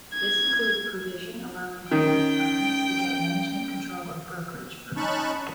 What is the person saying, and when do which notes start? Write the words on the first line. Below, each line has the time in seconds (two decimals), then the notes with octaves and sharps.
This includes a provision allowing foreign companies to get management control of brokerage firms.
0.14 G#6
1.91 D#3 C#4 G5
4.97 C#4 D#4 A5 B5 C#6 F#6